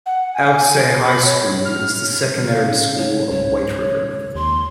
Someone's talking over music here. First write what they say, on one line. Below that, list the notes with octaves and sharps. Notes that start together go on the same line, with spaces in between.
Alchesay High School is the secondary school of Whiteriver.
F#5
G#5
B5
C#5
F6
C#3 F5
C#5
C#2 C#5
D#2 C6